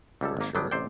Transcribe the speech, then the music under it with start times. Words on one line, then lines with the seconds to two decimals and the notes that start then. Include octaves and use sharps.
For sure.
0.21 C#2 G3 A4
0.37 G#1 A#3
0.55 G1 F#2 F#3 B3 D4 G5
0.71 A1 C3 C5 D5 G5